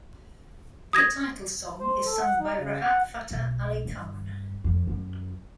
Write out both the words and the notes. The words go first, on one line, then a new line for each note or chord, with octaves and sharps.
The title song is sung by Rahat Fateh Ali Khan.
D#6 G#6 A#6
C5
A4
F#5
D#4
C#3
F#5
B1
G2
F2
F#2